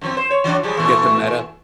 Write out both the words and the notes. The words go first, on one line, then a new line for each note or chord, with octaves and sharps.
Get the Meta.
F#2 F3 C4
C5
C#5
E3 F#3 D4
F3 G3 G#3
A#2 E3 A3